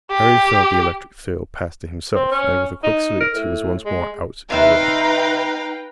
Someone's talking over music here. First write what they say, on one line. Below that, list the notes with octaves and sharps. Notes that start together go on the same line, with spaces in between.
Harry felt the electric thrill pass to himself, and with a quick salute he was once more out in the rain.
G4
C4
C#4
D#4
A#4
A2
G#3
C3 D#4 B4 E5 F5 G5 A#5